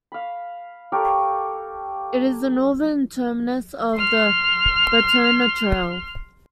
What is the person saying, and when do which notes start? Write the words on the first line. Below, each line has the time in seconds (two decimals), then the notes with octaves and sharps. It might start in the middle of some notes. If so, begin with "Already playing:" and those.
It is the northern terminus of the Batona Trail.
0.12 F5 B5
0.92 G4 A4 A#4 C#5
3.95 C6 F6